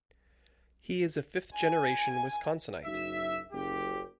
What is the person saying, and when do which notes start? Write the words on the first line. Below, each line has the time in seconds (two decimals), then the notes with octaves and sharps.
He is a fifth-generation Wisconsinite.
1.55 G#5
2.85 F#1 F#3 D#4 E5
3.52 F#1 G4